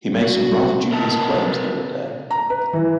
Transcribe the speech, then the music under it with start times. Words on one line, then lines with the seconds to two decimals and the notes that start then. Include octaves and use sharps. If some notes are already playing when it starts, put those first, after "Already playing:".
He made some rather dubious claims the other day.
0.24 F#4
0.92 A#4 B4 D#5 A5
2.30 A#5
2.50 B4
2.73 E3